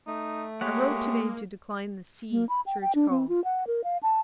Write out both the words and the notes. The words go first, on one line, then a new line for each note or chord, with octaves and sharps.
I wrote today to decline the C---- church call.
A3 D#4
G#3 A#3 G4 C#5 F#5
A#3
B5
G5
G5
D4
C4
F4
F#5
A#4
F5
A5